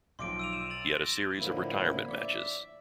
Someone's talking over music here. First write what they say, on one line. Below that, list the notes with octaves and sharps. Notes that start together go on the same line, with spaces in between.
He had a series of retirement matches.
B1 D#3 F3 C6 D6 D7
E6 D#7 F7
E7 F7
A6 F#7
A#6
A2 D3 F3 A#3 E4
D5 E5